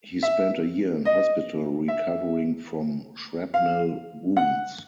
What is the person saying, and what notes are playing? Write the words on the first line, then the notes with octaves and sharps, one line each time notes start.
He spent a year in hospital recovering from shrapnel wounds.
E5
D#5
E5
F5
F#5